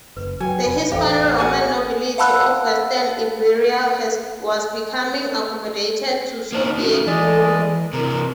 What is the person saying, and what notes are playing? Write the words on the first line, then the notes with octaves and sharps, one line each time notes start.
The Hispano-Roman nobility of western Iberia was becoming accommodated to Suevic rule.
F#1 B4
F#3 B4 G5 G#5
F1 F4
A1 G4 A4 C5 F5
F#4 G#4 F#5
F5 F#5 A5 B5 E6 F#6
A#3 D4 D#4
C#4 D#4 F#4
E3 G#3 D5 D#5
C3 E3 A#4